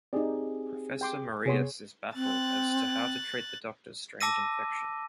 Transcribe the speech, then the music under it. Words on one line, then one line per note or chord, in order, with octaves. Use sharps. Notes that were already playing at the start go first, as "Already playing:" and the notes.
Professor Marius is baffled as to how to treat the Doctor's strange infection.
C4 D#4 G4 G#4 D5
G5 C6 D6
C3 B3 G#4 C#5 C6
C4 F#6 A6
A5 D6 E6 A#6 D#7